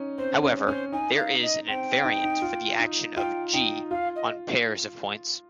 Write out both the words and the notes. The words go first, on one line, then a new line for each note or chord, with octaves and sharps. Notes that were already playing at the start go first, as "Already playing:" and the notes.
However, there is an invariant for the action of "G" on "pairs" of points.
Already playing: C#4 D#4
C4 C5
C#4
C#4 C5
D#4 G#5
F5
D#5
C4 G5
D#4
D#4
F4
D#4
F4 G5
D#4 G5
F4 F5
D#5